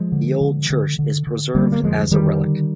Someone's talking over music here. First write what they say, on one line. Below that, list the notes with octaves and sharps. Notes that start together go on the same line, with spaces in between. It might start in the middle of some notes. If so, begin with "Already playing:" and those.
The old church is preserved as a relic.
Already playing: F3 G#3
D3
D3
D3
D3
D3
D3 G3 A#3
A#3
F2 F3 G#3
D3 D#3 G3
D3